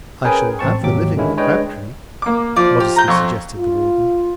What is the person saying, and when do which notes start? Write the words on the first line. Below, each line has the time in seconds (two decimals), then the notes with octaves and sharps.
"I shall have the living of Crabtree," modestly suggested the warden.
0.25 C#4 G#4 A#4 B4 G5 G#5
0.59 A1 C4 A5 C#6
0.83 G#1 D#2 F#3 G4 D6
1.17 D3 D#3 G#3 C#4 E4
1.37 G#3 D4 B4 C#5 D#5 G5
2.22 A#3 D6
2.56 F3 D5
2.80 G4
2.96 A#5 G6
3.08 F2 C#6
3.57 F4